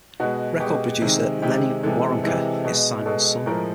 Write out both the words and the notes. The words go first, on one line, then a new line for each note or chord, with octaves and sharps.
Record producer Lenny Waronker is Simon's son.
B2 G#3 F#4
B2 G#3 G4
C3 D#3 G#3
C3 D#3 G#3 G4
C3 E3 G#3 A4
C3 E3 G#3
B2 G#3
B2 G#3 A4
A2 F3 G#3 A#4